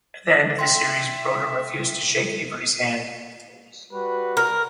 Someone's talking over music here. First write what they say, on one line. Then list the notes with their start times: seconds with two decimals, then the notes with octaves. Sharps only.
At the end of the series, Brodeur refused to shake Avery's hand.
0.59 E5 G5 C6
3.92 G3 F#4 B4
4.37 A#4